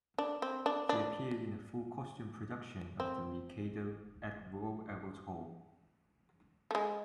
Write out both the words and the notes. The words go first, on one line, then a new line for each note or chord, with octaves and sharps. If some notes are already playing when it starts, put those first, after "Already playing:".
He appeared in a full costume production of "The Mikado" at Royal Albert Hall.
D4
C4
D4
D4
C4
A3
G#3